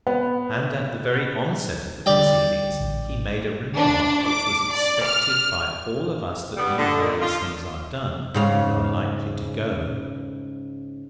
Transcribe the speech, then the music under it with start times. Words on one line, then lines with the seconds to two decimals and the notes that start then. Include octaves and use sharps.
And at the very onset of the proceedings he made a remark which was expected by all of us that knew how these things are done and are likely to go.
0.07 B3
2.06 D3 G3 D5 G5
2.81 A1
3.77 D4
4.28 D6
4.74 D5
5.04 F6
6.57 G2 G3 B3
6.77 D3
7.00 A#2 D3 D#3
7.21 F4
8.34 G#2 C#3 F5